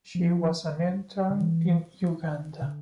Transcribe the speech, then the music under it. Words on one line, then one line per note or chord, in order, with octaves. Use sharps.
She was an intern in Uganda.
F3
D3
E3
C3
D3